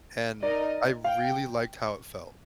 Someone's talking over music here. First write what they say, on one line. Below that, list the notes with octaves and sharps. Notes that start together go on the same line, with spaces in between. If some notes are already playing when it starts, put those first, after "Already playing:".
and I really liked how it felt.
D#4 A#4 D5 D#5
F5 G5